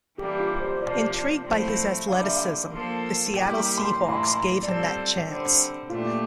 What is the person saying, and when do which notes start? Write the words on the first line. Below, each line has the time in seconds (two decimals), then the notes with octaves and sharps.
Intrigued by his athleticism, the Seattle Seahawks gave him that chance.
0.18 E3 G3 A#3 D4 G4
0.39 F4
0.60 C5
0.82 C3 F3 A#3 D4 D5
1.45 A2 F3 A3 C4 E4
2.08 D3 G3 A#3 F5
2.23 E5
2.37 F5
2.72 F3 A#3 F4 A4
3.36 G3 A#3 E4 G4 G5
3.57 A#5
3.78 C6
3.99 A2 E3 A#3 E4 A#5
4.08 C6
4.18 A#5
4.28 C6
4.36 A#5
4.62 G3 C4 F4 A4 D5
5.26 D3 G3 C4
5.90 A#2 A3 D4 F4 G4